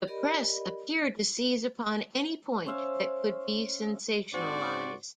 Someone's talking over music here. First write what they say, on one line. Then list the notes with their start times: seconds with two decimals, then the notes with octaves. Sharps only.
The press appeared to seize upon any point that could be sensationalised.
0.07 G4 A#4 D5 D#5 B5
2.66 C#4 C5 E5 F5
4.33 G#2 C4 F#4 C5 D5